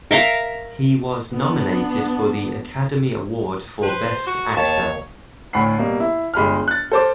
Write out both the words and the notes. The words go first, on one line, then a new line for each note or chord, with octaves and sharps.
He was nominated for the Academy Award for Best Actor.
A#4 E5 F5 A#5
B3 D4
B4 C5
F#4 C#6
D#2 C#5 A5
D2 A2 F#5 B5 C7
B2 G3 A#3
E4
G1 G#3 B5 F6
F#6 A6
A4 C5 D6